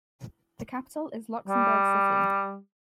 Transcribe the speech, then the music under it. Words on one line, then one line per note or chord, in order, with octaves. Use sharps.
The capital is Luxembourg City.
G3